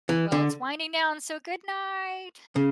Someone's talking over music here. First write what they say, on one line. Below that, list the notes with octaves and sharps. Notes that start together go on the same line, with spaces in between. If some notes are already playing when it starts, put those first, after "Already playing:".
well, it's winding down, so good night.
E3
D3
C#3